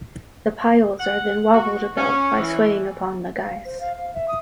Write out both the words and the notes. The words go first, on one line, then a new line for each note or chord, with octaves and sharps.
The piles are then wobbled about, by swaying upon the guys.
F#5
F#4
C#4
E3
F5
C5
F5
F5
E5
D#6